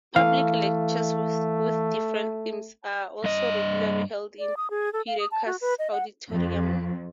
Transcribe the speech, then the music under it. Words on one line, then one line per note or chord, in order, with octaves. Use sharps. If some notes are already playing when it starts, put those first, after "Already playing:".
Public lectures with different themes are also regularly held in Heureka's auditorium.
E3 A3 F5
G2 D#5
D5
D#6
G#4
A4
F5
D#6
A5
F#4
B4
D#5
F#5
F2